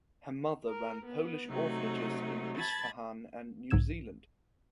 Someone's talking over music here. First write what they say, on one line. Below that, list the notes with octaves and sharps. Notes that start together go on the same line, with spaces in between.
Her mother ran Polish orphanages in Isfahan and New Zealand.
A#4
B3
C3 F#3 A3 D#4
A5 B5 G#6 A6
B1 G#2 C#3 E6 G#6 E7